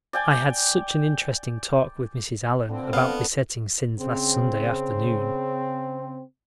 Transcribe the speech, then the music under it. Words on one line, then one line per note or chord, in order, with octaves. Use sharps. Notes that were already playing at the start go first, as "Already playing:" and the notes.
I had such an interesting talk with Mrs. Allan about besetting sins last Sunday afternoon.
D5 G5 G#5
D3 F3 C4 B4
A3 B3 F5
C#3 C4